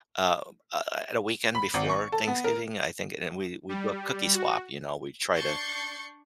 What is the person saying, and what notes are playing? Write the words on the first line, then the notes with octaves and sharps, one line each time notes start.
uh, uh, at a weekend before Thanksgiving, I think, and we we do a cookie swap, you know? We try to
B5
G#1
C#6
A4
B3
A#4
G3
F#4
D4 C#6 G6 A6 C7 C#7